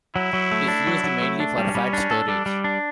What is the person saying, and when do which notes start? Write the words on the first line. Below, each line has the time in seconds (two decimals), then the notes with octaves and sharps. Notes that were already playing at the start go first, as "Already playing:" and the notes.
It is used mainly for fat storage.
0.15 F#3 E4
0.33 F#3
0.51 A3
0.68 D4
0.87 F#3
1.04 F#3
1.22 A3
1.40 D4
1.58 G3 C#4
1.75 G3
1.93 D4
2.11 A4
2.28 G3 D4
2.46 G3
2.64 D4